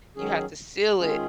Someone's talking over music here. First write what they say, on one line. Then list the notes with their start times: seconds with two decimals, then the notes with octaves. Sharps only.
You have to seal it.
0.16 D#3 F#3 C#4 G#4
0.99 D#3 G#3 C#4 F4 G#4